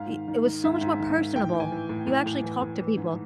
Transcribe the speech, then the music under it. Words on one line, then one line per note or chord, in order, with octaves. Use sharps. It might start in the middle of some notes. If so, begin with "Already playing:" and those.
i it was so much more personable. You actually talk to people.
Already playing: G#2 F5
D#3
D#3
D#3
G#2 E5
G#2
D#3
D#3
A2 G5
E3
G#5
E3
A2
A2
A2
E3
A2
E3
G#2